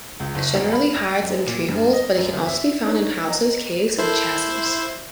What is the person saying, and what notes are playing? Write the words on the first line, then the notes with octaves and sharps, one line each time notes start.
It generally hides in tree holes, but it can also be found in houses, caves and chasms.
C#2
F#1
E1
B5
A#6
F#2
A#2
G2
D#5
F#2
G1
E5
D4 D#4 C#5
D#5 A#5
E4 A4 A#4 C5